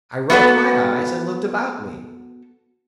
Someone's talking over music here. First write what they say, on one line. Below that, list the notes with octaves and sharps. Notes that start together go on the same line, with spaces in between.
I rubbed my eyes, and looked about me.
B3 F#4 A4 B4